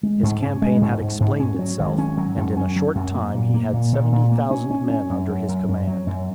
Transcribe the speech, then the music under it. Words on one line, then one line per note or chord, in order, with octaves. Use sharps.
His campaign had explained itself, and in a short time he had seventy thousand men under his command.
G#3
G#2
C#4
G#3
G#2
G#2
G#2
C#4
F#3
G#1
C#4
F#3
F#2
C#4
F#3
F#2
A#3
A#2
A#3
A#2
A#2
A#2
A#3
C#4
C#4
C#4
F#2
F#2
F#2
F#2
F#3
F#2